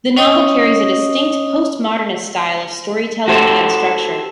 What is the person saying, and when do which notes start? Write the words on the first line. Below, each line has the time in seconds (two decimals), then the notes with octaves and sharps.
The novel carries a distinct post-modernist style of storytelling and structure.
0.16 C#4 C#5 D#5 D#6
3.28 F#4 G4 A4 C5